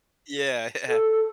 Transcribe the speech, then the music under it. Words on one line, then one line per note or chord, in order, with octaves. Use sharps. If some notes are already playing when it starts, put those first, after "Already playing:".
Yeah, yeah.
A4